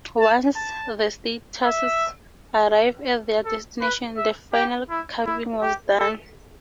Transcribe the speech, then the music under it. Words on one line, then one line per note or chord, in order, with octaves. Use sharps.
Once the statues arrived at their destination, the final carving was done.
A5
A5
E5
A4
B4
E5
G4
E4
E4
G4
A4